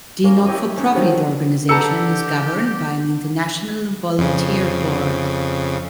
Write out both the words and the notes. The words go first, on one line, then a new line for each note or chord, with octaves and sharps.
The not-for-profit organization is governed by an international volunteer board.
A#3 C#4 A#4
E4 G4 C#5 D#5
C#4 D#4 C#5 E5
D3 D#3 F3 F#3
D3 G4 A4 B4 A5 A#5 E6 C#7
F2 C#3